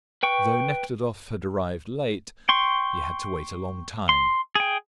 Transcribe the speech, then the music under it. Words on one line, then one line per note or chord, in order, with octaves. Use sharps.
Though Nekhludoff had arrived late, he had to wait a long time.
B4 G5 C#6
G5 C6 C#6
C6
G#4 G5